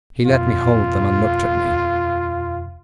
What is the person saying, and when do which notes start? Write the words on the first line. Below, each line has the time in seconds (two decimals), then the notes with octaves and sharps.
He let me hold them and looked at me.
0.26 D#1 F2 B2 F4